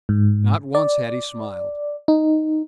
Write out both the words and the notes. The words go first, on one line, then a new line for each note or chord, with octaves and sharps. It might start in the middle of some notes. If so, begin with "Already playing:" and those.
Not once had he smiled.
G#2
D5
D#4